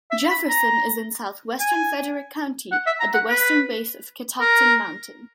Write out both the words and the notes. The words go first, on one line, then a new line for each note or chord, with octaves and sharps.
Jefferson is in southwestern Frederick County at the western base of Catoctin Mountain.
E5
B5
A#5
G#5
F#5
E5
A#5
F#5
B4
A#4